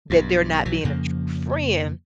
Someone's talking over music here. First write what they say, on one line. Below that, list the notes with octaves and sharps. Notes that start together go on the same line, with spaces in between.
that they're not being a true friend,
B1 G2
B1 E3 F#3
F2 C#3 F3 A#3